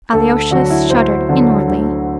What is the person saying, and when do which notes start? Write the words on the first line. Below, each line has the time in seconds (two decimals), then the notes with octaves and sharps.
Alyosha shuddered inwardly.
0.13 D2 A4
0.51 D3 F#3 F#4
0.70 E4
0.90 D2 C5
1.29 D3 F#3
1.67 D2